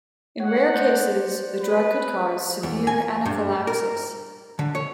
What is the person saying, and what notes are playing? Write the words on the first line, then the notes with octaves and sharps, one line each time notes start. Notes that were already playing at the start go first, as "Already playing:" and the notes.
In rare cases, the drug could cause severe anaphylaxis.
C#5 F#5
C5 D5
B4
E2
G#5
G2
A#4
D3
C#5